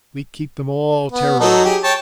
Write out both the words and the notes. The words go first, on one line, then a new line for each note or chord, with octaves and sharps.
We keep them all terrorized.
B3
F#3 D#4 A4
G4 G#4
C#5 G5 A5